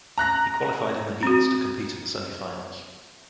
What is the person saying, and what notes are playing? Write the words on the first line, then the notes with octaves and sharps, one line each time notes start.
He qualified in the heats to compete in the semifinals.
A#5 F#6 A#6
C4 F#4